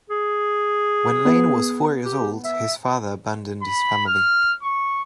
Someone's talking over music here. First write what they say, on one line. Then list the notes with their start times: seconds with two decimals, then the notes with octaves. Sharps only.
When Lane was four years old, his father abandoned his family.
0.10 G#4
1.25 B3
2.05 G4
2.45 E5
3.62 B5
4.06 F6
4.62 C#6